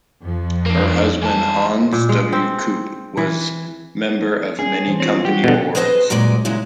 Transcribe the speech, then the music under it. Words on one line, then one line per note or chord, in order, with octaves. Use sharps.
Her husband Hans W. Kopp was member of many company boards.
F2 F3
A#3 D4
E3 A5
A#2
G#3
C4
E3
C#4 D4 G#4
E3 C5
C4 F4 G4 C#5
F#3 G4 G#4 F#5
B2 D3 A4 F#5
G#4 B4 C5 D#5 G5 A5
F#2 A#2 F#3 G#3 D5
A#2 C#3 F#3 G#3 E4